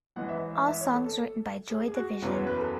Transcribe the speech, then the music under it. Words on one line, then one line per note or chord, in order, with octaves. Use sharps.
All songs written by Joy Division.
A1 G#2 E3 F#5
E5
E5
E5
C#5
A4
A4
G#4
G#4
F#4
F#1 E2 C#3 F#3
C#5
B4
A4